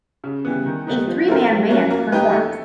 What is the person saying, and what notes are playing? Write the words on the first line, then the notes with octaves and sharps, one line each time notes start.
A threeman band performs.
C#3
E3 G3 B3
D#3
G3 B3 D#4
F3
A3 C4 F4 A#4
G3
A#3 C#4 F#4
A#3
D#4 G4 B4
A3